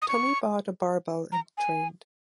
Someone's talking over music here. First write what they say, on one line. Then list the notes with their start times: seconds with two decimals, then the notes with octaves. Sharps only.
Tommy bought a barbell and trained.
0.02 D#6
0.08 C#6
1.32 A#5
1.57 G#5